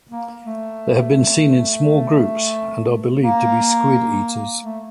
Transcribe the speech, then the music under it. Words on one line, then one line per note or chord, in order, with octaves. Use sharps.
They have been seen in small groups, and are believed to be squid eaters.
A#3
A3
A#3
A3